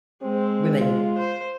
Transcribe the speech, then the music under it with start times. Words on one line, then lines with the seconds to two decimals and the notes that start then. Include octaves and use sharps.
when they
0.22 G#3 C4
0.81 F4
1.18 C5